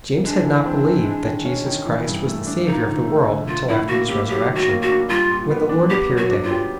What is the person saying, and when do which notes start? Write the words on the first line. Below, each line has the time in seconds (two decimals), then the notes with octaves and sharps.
James had not believed that Jesus Christ was the Saviour of the world until after His Resurrection, when the Lord appeared to him.
0.24 G#3 D4
0.45 E3
0.65 C4
0.85 E3
1.05 G#3
1.26 D#3
1.45 C#4
1.66 D#3
1.86 E3
2.07 G2
2.27 A3
2.47 D4
2.67 F3 D#4
2.87 D3
3.08 A3
3.28 D3
3.48 F3 F4
3.68 A2 E4
3.88 A#3 F#4
4.08 A2 G4
4.28 F#3 G4
4.48 D#3
4.55 F#4
4.69 A#3
4.82 F#4
4.89 D4
5.09 G3 F4
5.30 A#2
5.50 B3
5.69 D4
5.90 B3 G4
6.10 F#3
6.17 F#4
6.31 D4
6.43 F4
6.51 G4